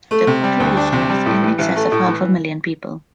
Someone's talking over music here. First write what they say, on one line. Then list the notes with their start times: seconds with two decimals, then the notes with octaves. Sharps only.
The population is in excess of half a million people.
0.11 A3
0.27 C3
0.44 G3
0.60 D2
0.77 D4
0.92 C3
1.10 G3
1.26 A2
1.43 E3
1.59 A1
1.76 A3
1.92 A2
2.08 E3